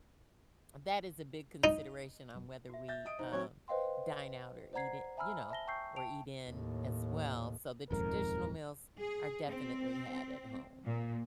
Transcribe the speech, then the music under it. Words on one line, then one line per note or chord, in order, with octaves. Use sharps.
that is a big consideration on whether we, um, dine out or eat it you know, or eat in as well, so the traditional meals are definitely had at home.
D#4
F#4 E5
E5 G6 A6
D#5 D#6 D7
D#4 C5
F#3 C4 F#4 C#5
B4 C5 D#5 F5 G5 C6
C5 D5 F#5 A#5 G#6 C7
E5 G#5 A#5 B5 E6 F6
E5 A5 A#6 G7
G5 A5 C#6 E6 G6 C7
G5 A5 D7 F7
D#2 A2
D#1 F2 G#2 A#4
G#4
C4
A#2